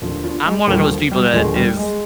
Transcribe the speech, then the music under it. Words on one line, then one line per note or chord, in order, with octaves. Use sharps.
I'm one of those people that is,
D#2 D3 F3 D4 F4
D4 F4
G#3
D#2 D3 F3 G3 A#3
G3
D#2 D3 F3 G#3
G3
G#3